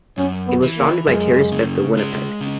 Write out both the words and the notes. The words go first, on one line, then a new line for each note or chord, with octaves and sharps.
It was founded by Terry Smith of Winnipeg.
F#2 C#4
B3
E3
A#3
F#2 G#3
C#3
G#3
C#3